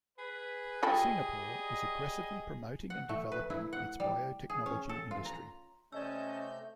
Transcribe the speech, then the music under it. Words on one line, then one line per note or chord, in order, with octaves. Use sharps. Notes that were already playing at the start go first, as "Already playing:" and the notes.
Singapore is aggressively promoting and developing its biotechnology industry.
G#4 B4
G3 F4 A4 D#5 G5 A5 B5
F#5
A3
B4
E4
F#5
G3
G#4
C#4
A4
F4
A#5
C3 A3 C#4 D5 D#5 A5 E6 G6